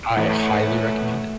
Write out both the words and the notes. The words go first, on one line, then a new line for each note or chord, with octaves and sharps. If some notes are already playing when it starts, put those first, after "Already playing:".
I highly recommend it
E2 A2 E3 A3 B4 C#5 F#5